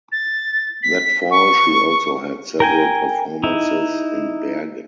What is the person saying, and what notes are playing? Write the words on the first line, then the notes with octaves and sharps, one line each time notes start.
That fall she also had several performances in Bergen.
A6
B6
C#6
A#4 G5 G#5
D#4 E4